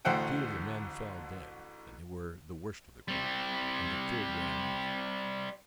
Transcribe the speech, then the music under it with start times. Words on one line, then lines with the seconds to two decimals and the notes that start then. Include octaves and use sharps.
Two of the men fell dead, and they were the worst of the crew, and the third ran off.
0.05 A1 D2 A3 C5 F#5 G5
3.08 G3 C4